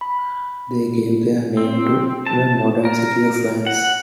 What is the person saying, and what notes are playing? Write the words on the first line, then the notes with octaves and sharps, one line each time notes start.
They gave their name to the modern city of Vannes.
B5
C4
A5
A#4
F#5